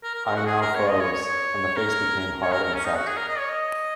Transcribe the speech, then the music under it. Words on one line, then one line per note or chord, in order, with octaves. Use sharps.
I now froze, and the face became hard and set.
A#4
A#4
A#4
F#4
G#4
A#4
C#5
D#5
C#5
C#5
C#5
A#4
A#4
C#5
A#4
A#4
C#4
D#4
F#4
G#4
A#4
D#5
C#5
D#5